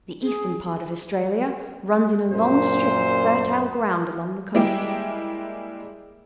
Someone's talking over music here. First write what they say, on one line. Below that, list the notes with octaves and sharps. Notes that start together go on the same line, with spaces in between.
The eastern part of Australia runs in a long strip of fertile ground along the coast.
G#4
F#2 A#2 C5
G3 G#3 A#3 E4 G5